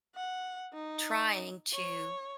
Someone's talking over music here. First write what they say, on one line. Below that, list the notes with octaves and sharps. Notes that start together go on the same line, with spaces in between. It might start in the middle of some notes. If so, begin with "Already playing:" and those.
trying to
F#5
D#4
C#5